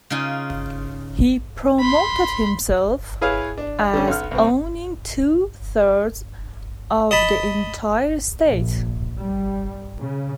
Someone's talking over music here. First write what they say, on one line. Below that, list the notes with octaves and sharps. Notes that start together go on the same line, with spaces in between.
He promoted himself as owning two-thirds of the entire state.
C#3 D#4 F4 G#5
B5 C6
E4 G#4 B4 C#5 F5
D4
D3 C#4
B1 B3 F6
C2 C4
D#5 A5 B5
A#1
G3
C#3